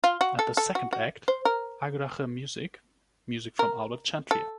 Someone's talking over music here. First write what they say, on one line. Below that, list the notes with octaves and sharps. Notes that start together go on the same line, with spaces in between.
At the second act, Agrache music, music from Albert Chantrier.
F4
F#4
A4
A4
F#4
F#4
C5
A#4
A#4
A4